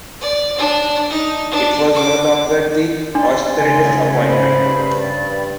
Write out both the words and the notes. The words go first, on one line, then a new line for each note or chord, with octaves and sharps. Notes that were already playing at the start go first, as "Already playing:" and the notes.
It was no longer the Austerlitz appointment.
D5
D4
D#4
D4
D6
D4 D5 C6
C#3 A3 G#5
G#2 C5 B5
G2
D5 G5 B5